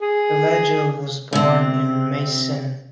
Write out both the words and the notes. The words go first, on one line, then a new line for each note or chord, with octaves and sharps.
Schlegel was born in Meissen.
G#4
C3 C4